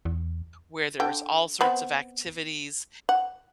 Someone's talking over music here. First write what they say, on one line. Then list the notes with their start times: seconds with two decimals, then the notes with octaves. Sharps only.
where there's all sorts of activities,
0.05 E2
1.00 D3 G5
1.61 B3 C4 B5
3.09 F#5